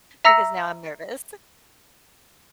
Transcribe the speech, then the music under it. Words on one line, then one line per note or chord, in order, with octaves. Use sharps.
Because now I'm nervous.
E5 A#5 E6 A#6 C#7